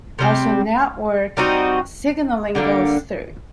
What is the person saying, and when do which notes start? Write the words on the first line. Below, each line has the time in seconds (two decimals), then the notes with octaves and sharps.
Also network signaling goes through.
0.19 C3 G3 C4
1.37 G3 C4 D#4 F#4
2.55 D3 G3 A#3